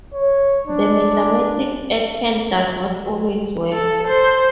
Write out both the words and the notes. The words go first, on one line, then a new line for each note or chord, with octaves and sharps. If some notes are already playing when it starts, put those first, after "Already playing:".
The mathematics at hand does not always work.
C#5
D4
A4
C5